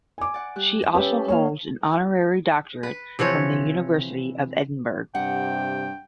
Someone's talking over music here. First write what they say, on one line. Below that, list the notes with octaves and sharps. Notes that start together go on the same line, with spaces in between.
She also holds an honorary doctorate from the University of Edinburgh.
G#5 D6
D5 F#5
G3 G4 F#6
C#4 G4 B4 E5 D#6
A4
A#2 A#3 C#5 F5
B4
C3 E3 F3 C#5
G2 C3 F#5 G5